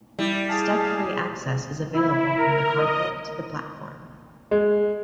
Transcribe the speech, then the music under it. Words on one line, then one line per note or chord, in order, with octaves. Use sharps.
Step-free access is available from the car park to the platform.
G3 E4
G#4 F5 A5
E4
A#4
D#5
G#3